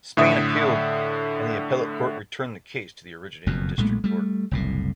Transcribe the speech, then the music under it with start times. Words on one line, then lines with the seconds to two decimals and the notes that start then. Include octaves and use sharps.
Spain appealed, and the appellate court returned the case to the originating District Court.
0.17 A2 D3 E5 D#6
3.47 F#1 F2 B2
3.78 B1 A#2 G#3 A3
4.04 G3 A3
4.51 F#1 C2 A2